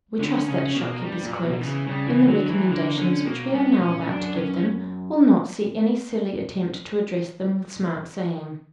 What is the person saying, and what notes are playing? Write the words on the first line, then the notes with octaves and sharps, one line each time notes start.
We trust that the shopkeepers' clerks, in the recommendations which we are now about to give them, will not see any silly attempt to address them with smart sayings.
D3 C#4
C#3 C#4
B2 A#3
G2 G3
A#2
F#3
B2
F#3
E3
C#3
C#3 G3
C#3 E3
D3 F#3
E3 F#3
G3
D3 A#3
D3 C#4
B2 A#3
G2 B3
A#2 C#4
F#2 D4
C#4